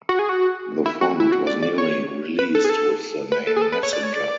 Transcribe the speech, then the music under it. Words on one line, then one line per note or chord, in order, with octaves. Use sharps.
The font was nearly released with the name Messenger.
F#4
G#4
F#4
E4
F#4
E4
F#4
D5
D5
C#5
B4
A4
G#4
A4
B4
A4
G#4
A4
B4
C#5
D5
C#5
D5